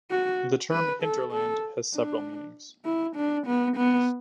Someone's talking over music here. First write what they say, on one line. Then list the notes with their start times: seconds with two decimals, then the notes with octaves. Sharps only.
The term "hinterland" has several meanings.
0.11 F#4
0.71 B4
1.03 A4
1.33 A4
1.94 D4
2.85 E4
3.16 D4
3.47 B3
3.77 B3